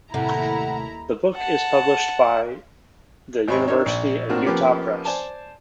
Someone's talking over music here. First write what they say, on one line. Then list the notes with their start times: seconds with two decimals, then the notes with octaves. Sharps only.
The book is published by the University of Utah Press.
0.14 D#2 A2 C3 E4 F#5 A#5
1.35 F#5 A5
3.48 G#1 C4 D#4 C#5 B5 C#6
3.68 C4 D4 D#4 A#4 C#5
3.86 A#1
4.29 A2 A#3 C4 D4 F4 F#4
4.46 F3 A#3 B3 C#4 G4
5.05 C5 D5 G#5 A5